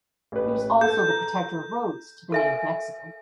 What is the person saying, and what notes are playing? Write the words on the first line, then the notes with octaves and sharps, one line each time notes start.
He was also the protector of roads to the native Mexicans.
A1 B4
A4 G6
A#5
A4 E5 G#5